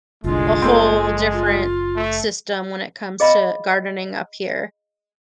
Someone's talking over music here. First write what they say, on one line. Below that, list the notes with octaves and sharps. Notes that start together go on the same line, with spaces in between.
a whole different system when it comes to gardening up here,
F#1 C2 D3 G#3 F4
F#1 A3 A#3 C4
F4
A3
G#4 D#5 F5 B5